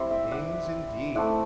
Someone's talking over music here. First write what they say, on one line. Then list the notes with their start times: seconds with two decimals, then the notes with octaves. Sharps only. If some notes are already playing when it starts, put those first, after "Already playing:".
Kings, indeed!
Already playing: G3 C4 E4 C5
0.10 E5 G5
0.24 E5
0.31 D5 F#5
1.15 A3 C4 E4 D5 F#5